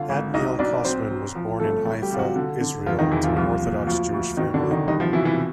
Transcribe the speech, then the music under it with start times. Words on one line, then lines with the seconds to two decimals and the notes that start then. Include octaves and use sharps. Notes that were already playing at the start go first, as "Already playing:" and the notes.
Admiel Kosman was born in Haifa, Israel to an Orthodox Jewish family.
Already playing: G1 D3 F4 F5
0.09 G#1
0.34 B1 D#4 D#5
0.59 B1 D4 D5
0.84 F#3 C4 C5
1.10 F#3
1.35 F3
1.60 G1 A3 A4
1.85 G1 A3 A4
2.02 G3 G4
2.10 C3 F4
2.19 F#3 F#4
2.36 D3
2.61 D3
2.86 E1 F3 F4
2.99 D#3 D#4
3.11 E2 E3 E4
3.23 F3 F4
3.36 C2 F3 F4
3.61 A#2
3.87 D2 F3 F4
4.12 D2
4.37 B2 D#3 D#4
4.54 D3 D4
4.62 F#3
4.71 D#3 D#4
4.87 C2 D#3 D#4
5.00 F3 F4
5.13 B2 E3 E4
5.25 E3 E4